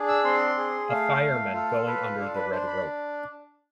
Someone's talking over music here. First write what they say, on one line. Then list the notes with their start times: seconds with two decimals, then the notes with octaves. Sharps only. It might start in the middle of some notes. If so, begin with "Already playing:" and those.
A fireman going under the red rope.
Already playing: D4 G#4
0.08 E6
0.25 C4 C6
0.57 G#4
0.89 A3 F5
1.22 A3
1.54 F4 A4
1.86 A4 B4
2.18 D4 A4
2.35 B4
2.51 D4 C5
2.67 B5